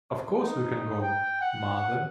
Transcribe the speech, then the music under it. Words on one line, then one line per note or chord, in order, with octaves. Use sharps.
Of course we can go, mother?
D#4
G5
F#5